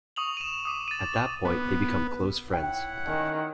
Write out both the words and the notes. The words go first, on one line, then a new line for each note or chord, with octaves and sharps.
At that point, they become close friends.
C#6 D#6 F7 F#7
D#7 E7
D6 D#6
A6 D#7
B3
D#4 E4 C#5 E5 F#5 G5
D#3 C#4 A#4 D#5